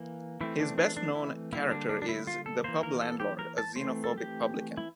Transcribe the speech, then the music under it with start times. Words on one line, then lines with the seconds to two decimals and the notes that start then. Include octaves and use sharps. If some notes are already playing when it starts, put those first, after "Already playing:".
His best-known character is "The Pub Landlord", a xenophobic publican.
Already playing: E3 A#3
0.41 E3 A3 C4 E4
0.60 D4
0.78 D4
0.97 D4
1.15 E4
1.53 D3 G3 A#3 E4
1.71 D4
1.89 D4
2.02 D4
2.09 E4
2.27 F4
2.46 A4
2.64 E3 A#3 C5
2.83 A#4
3.02 A4
3.20 G4
3.39 A#4
3.58 A5
3.76 E3 A3 C4 C5
4.04 A4
4.18 G4
4.77 E4